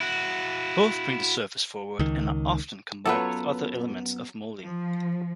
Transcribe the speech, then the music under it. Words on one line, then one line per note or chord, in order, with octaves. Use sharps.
Both bring the surface forward, and are often combined with other elements of moulding.
E4 F#4
C#2 D#3
F#2 F#3 B3 F4 A4 B4 C#5 F#5
F3